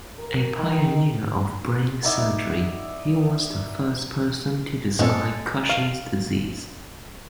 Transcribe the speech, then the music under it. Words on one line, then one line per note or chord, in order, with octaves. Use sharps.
A pioneer of brain surgery, he was the first person to describe Cushing's disease.
A#4
D#3
B3 D#4 E4 D5
G2 A#2 G#3 C4 A4
F5